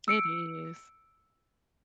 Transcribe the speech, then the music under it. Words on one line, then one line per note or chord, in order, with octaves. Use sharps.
It is.
E6 C#7 D7